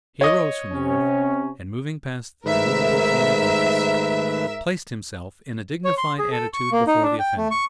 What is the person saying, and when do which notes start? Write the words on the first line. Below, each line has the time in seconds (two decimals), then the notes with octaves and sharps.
He arose from the earth, and moving past the immovable form of Uncas, placed himself in a dignified attitude before the offender.
0.21 C#5 D#5
0.72 C3 C#4
2.46 G#2 D#3 A3 A#4 B4 E5
5.85 C#5
5.97 C6
6.19 G#4
6.31 A4
6.54 C#6
6.72 A#3
6.87 D#4
7.02 D4
7.19 G5
7.37 A3
7.51 C#6